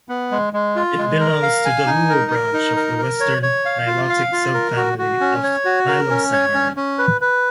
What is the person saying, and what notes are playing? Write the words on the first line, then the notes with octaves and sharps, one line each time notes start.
It belongs to the Luo branch of the Western Nilotic subfamily of Nilo-Saharan.
B3
G#3
G#3
F4
G#3
A#4
F5
G#5
D#4
A#4
A#4
D#4
A#4
A#4
C#5
C#5
F5
F4
F5
F4
A#4
F#4
F#4
C#4
C#5
F#4
A#4
C#4
C#5
C#4
C#4
B4
B4